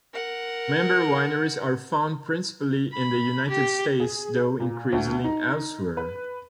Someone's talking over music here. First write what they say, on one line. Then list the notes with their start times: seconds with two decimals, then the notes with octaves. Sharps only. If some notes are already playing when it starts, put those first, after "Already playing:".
Member wineries are found principally in the United States, though increasingly elsewhere.
0.13 A#4 F#5
2.92 B5
3.48 G4
4.00 G#4
4.60 A#2
4.92 D2
5.24 D#4
5.97 B4